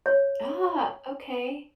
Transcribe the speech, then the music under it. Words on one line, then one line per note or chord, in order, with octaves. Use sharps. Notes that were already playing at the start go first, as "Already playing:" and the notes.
Ah, okay.
C#5